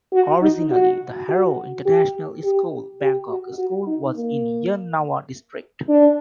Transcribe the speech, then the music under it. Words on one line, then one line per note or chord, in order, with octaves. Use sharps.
Originally the Harrow International School, Bangkok school was in Yan Nawa District.
F#4
D#4
F#4
F#4
G4
G4
G4
F#4
F#4
D#4
A#3
D4